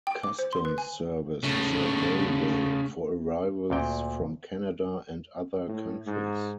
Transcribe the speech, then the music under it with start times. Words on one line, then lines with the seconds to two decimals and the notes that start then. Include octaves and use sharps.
Customs service is available for arrivals from Canada and other countries.
0.07 G5
0.23 D6
0.39 C5
0.53 C6
0.65 B4
0.78 G#5
1.43 C#3 A3
3.70 D2 A#2 G5
5.68 A2
6.06 G#2